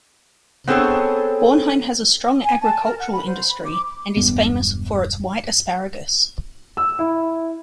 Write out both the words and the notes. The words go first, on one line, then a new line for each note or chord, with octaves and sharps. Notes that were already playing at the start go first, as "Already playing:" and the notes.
Bornheim has a strong agricultural industry and is famous for its white asparagus.
B3 C4 G#4 A4 C#5
G#5
A5
A#4
F#5
B5
C5
B5
D6
E1 G2 G3 B3
E6
E4